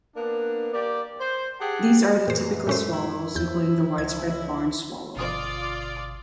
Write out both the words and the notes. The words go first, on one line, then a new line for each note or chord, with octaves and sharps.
These are the typical swallows, including the widespread barn swallow.
A#3 B3 D4
A#3 G4 D5
C5
G4 G#4 F#5 G5 A5
F#2 A#2 E3 C5
A#2 G#3 A3 C#4 C5
E4
E2 F3 G6
C#2 G#6
G1 B2 F4 D5 D6 D#6